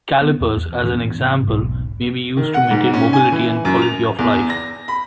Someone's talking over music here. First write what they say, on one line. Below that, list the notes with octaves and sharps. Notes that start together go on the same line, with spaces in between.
Calipers, as an example, may be used to maintain mobility and quality of life.
B3
E2
G#2 E3 B3 C#4
E1 B1 G#2
D#3
F#5
G#2
C#4
G#5
E3
F#2
F7
E2
A#6
B5